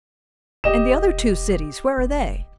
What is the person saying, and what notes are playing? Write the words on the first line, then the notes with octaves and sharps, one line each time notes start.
"And the other two cities----where are they?"
E1 G4 D#5 E7
F1